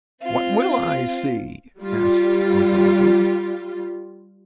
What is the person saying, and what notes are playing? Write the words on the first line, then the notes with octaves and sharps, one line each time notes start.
"What will I see?" asked Uncle Wiggily.
C4 F4
G3 F4